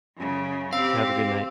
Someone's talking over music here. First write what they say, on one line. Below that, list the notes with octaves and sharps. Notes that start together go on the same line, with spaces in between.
Have a good night.
F#2 C#3
C4 G4 F5 E6